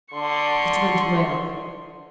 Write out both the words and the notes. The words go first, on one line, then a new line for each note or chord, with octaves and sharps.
It went well.
D3 C6 C#6